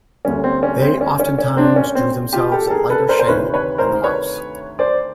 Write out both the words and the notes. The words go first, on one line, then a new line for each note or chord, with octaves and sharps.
They oftentimes drew themselves a lighter shade than the mouse.
D2 D3 G3 A#3 C#4
C4
C#4
C4
C#4
C#4
C#4
C4 D4
C#4
C4
F4 G4
G4 A4
A4
G#4 A#4
A4 B4
A#4 C5
C5
D2 C3 D#3 B4 C#5
B4 C#5
A#4 C5
B4 C#5
C5 D5